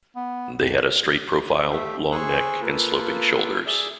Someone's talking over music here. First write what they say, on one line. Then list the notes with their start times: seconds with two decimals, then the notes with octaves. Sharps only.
They had a straight profile, long neck, and sloping shoulders.
0.16 B3
0.58 F2
1.70 A3 G4 E5 F5
2.12 G#4 C5 G#5 C#6 E6 F#6
2.61 A#3 F4 A4 B4
3.66 G#4 D5 E5 G#5